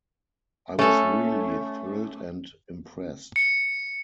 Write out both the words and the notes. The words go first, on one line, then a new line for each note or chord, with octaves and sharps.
I was really thrilled and impressed.
A3 C#4 A4
C#7